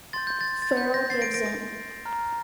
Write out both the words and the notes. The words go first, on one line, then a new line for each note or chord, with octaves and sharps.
Farrell gives in.
C6 G6 A6
G6
A6
A6
G6
G6 A#6
A6 C7
A#6 D7
A#6 D7
A#6 D7
A#5 F6